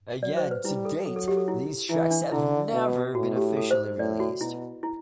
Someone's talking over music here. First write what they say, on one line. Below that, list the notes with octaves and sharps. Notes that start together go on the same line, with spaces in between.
Again, to date, these tracks have never been officially released.
F#3 D5
C5
B4
G3 E4
A4
F#3 A4
A4
G4
A4
E4
E3 E4
D4
D3 E4
B2
A2 F#4
G4
A4
C5
A2 D5
F#4
B2 E4
E4